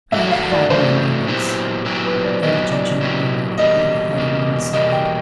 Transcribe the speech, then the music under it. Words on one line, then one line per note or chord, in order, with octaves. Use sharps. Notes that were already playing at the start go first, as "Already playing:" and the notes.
'I have had my moments,' Lady Georgina murmured, with her head on one side.
G2 E3 A3 D4 F#4 E5
F5
D5
G2 E3 A3 D4 F#4 C5
A#2 F#3 B3 E4 G4
A#2 F#3 B3 E4 G4
B4
D5
A#2 F#3 B3 E4 G4 D#5
D5
A#2 F#3 B3 E4 G4
E2 B2 G3 A#3 D#5
E2 B2 G3 A#3
E2 B2 G3 A#3 D#5
G5